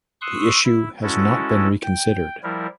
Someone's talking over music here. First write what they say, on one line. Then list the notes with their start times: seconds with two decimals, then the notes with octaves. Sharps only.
The issue has not been reconsidered.
0.21 C6 C#6 D#6 E6 F#6
0.64 E4
1.03 G#3 C#4 E4 F#4 A4
1.83 G5
2.43 F3 G3 E4 A#4